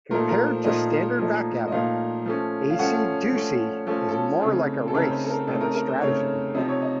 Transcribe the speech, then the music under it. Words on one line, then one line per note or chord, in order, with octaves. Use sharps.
Compared to standard backgammon, acey-deucey is more like a race than a strategy game.
A#2 F3 A3 D#4 A#4
A#4
C5
A#2 F3 A3 D#4 D#5
A#2 F3 A3 D#4
D#5
A#2 F3 A3 D#4 F5
F3 A3 C#4
F5
F3 A3 C#4 F#5
F3 A3 C#4
F3 A3 C#4 A4
A4
C#3 A3 C4 D#4
A4
C#3 A3 C4 D#4 A#4
C5
A4
A#4
C#3 A3 C4 D#4 A4
A#4
A#4
C5
C#3 A3 C4 D#4 C#5
C3 F3 C4 D#4 D#5
C#5
D#5